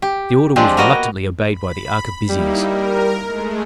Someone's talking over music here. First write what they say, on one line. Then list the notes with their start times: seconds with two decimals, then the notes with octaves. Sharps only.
The order was reluctantly obeyed by the arquebusiers.
0.02 G4
0.56 F3 G#3 C4 D4 G4
0.77 A#3 B3 F#4 A#4 D#5
1.52 B5
2.29 G3 A#3 D#4 E4
2.60 A#4
3.26 G#3 A3